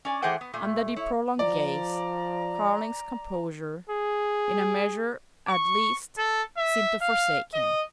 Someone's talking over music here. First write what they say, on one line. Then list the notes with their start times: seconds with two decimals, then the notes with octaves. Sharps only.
Under the prolonged gaze, Carling's composure, in a measure at least, seemed to forsake him.
0.05 C#4 D5 G#5
0.22 E3 A3 G#4 C5 F#5 G5
0.41 B3
0.54 A#2 A3
0.96 E4 C#5
1.39 F3 D5 A#5
3.90 G#4
5.48 C#6
6.18 A4
6.57 E5
7.02 F5
7.54 D#5